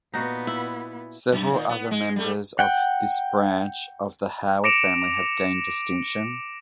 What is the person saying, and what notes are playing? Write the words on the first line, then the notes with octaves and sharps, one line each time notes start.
Several other members of this branch of the Howard family have gained distinction.
A#2 B3 D#4 F#4
E4
F#2
A#2 D#3
B3
G#3
G3 A3
F#5 G5
D6 A#6 C#7 D7 E7 F7